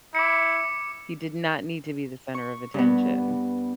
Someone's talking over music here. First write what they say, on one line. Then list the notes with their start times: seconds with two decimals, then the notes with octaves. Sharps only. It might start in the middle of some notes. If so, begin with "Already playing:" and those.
He did not need to be the center of attention.
0.15 E4 D6 C#7
2.35 C#6
2.74 G2 B3